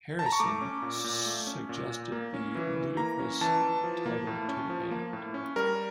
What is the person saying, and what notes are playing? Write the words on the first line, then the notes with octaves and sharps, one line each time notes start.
Harrison suggested the "ludicrous" title to the band.
A5
A#5
C#6
A3 D6
C#4
A#2
A#2
A3
C#4
A#2
A#2
A#3
C#4
E3
E3
A#3 A#5
C#4
E3 A5
E3
F3
A#3
A2
C#4
F3
A#3
A2
C#4
G3 A#4